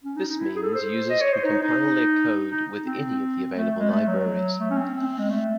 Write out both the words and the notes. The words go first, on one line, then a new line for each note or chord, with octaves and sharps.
This means users can compile their code with any of the available libraries.
C#4
D#4
D#4
E4
G#4
A4
C5
D#5
C#5
C5
D#4
D#4
D#4
C4
A3
G#3
A3
F#3
A3
C#4
C4
C4
G#3
A3